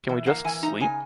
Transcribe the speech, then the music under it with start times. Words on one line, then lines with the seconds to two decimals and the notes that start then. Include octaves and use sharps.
Can we just sleep?
0.09 E3
0.26 A#3 F#5
0.44 E3 G#5
0.63 D#4 A#5
0.80 C#3 G#5